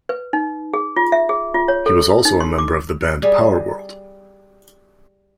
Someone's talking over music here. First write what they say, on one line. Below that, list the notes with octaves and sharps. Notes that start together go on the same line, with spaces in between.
He was also a member of the band Powerworld.
B4
D#4
G#4
F4
E5
G#4
F4
C#5
A4
D#4
C6
D6
G3 G#4